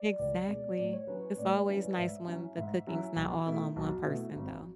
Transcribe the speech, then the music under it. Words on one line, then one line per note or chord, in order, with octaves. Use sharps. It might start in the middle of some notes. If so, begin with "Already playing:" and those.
Exactly, it's always nice when the cooking's not all on one person though.
Already playing: D5
C#2 D5
B2 G#3
A2 D5
C#5
F#3 C#4 E4 B4
C#5
A2 D5
F#3 C#4 E4
G#2 E5
F#3 C#4 E4
G#2 E5
F#3 C#4 E4
B1
B2 A3 E4
B1 F#4
B2 A3 E4
G#1